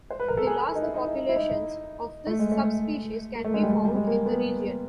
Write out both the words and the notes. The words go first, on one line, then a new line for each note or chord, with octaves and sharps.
The last populations of this subspecies can be found in the region.
C5
B4
A#4
A4
G#4
D#4
E4
D#4
E4
E4
D#4
A3
G#3
A3
A#3
A3
G#3
G3
G#3
G3
G#3
A#3
B3